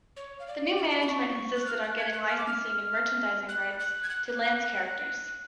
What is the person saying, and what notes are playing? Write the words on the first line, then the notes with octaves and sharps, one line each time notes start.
The new management insisted on getting licensing and merchandising rights to Lantz's characters.
C#5
F5
D5
D5
B5
C#6
F#6
F6
F#6
G#6
F#6
F6
D6
F6
F#6
F#6
G#6
F#6